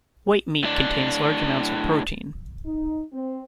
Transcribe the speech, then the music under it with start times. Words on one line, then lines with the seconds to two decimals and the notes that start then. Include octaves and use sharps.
White meat contains large amounts of protein.
0.63 A2 D4
2.65 D#4
3.13 C4